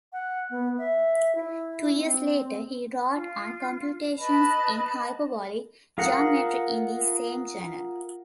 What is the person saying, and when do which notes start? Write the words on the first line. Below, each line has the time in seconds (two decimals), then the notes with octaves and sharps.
Two years later he wrote on computations in hyperbolic geometry in the same journal.
0.13 F#5
0.50 B3
0.78 E5
1.35 E4
1.96 C4
3.15 F4
4.17 B4 D#5 A5 B5
5.98 F4 G#4 A#4 F#5